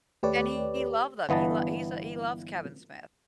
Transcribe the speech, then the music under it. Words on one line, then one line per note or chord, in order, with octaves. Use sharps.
And he love them, he lo he's a he loves Kevin Smith.
D#2 A3 G4 B4 C#5 D5
G1 E3 B3 D#5 A5